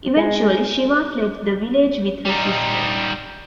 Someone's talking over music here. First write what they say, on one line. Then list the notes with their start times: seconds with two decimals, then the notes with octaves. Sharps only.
Eventually, Shiva fled the village with her sister.
0.17 G#3
2.25 G3 D#4